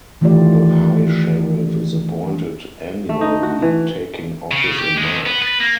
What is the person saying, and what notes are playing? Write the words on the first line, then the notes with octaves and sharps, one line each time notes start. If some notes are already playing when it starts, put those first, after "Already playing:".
The High Sheriff is appointed annually, taking office in March.
D#3 E3 A3 F4 G4 D5
A3
D#4
F#4
E3
C#3
G4
D3 G#3
B3
B4
A#3